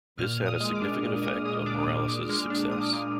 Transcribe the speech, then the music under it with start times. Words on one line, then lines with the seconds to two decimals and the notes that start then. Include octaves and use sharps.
This had a significant effect on Morales' success.
0.18 A#2 F6
0.40 A#2
0.46 D#6
0.60 G#3
0.75 D6
0.82 D4
1.03 A#2
1.24 A#2 D#6
1.45 G#3 D#6
1.66 D4 D6
1.87 A#2 D#6
2.08 A#2
2.29 G#3 F6
2.50 D4
2.71 A#2 D#6
2.81 D6
2.90 A#2 D#6